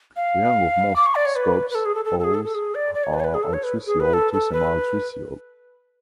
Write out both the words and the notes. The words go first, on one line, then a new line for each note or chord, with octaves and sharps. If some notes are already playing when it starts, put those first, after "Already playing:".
The young of most scops owls are altricial to semialtricial.
F5
D6
C#6
D5
C#5
B4
B4
A4
G#4
A4
A4
A4
G#4
A4
A4
G#4
D5
D5
C#5
B4
C#5
B4
G#4
A4
C#5
B4
G#4
B4
A4
A4
B4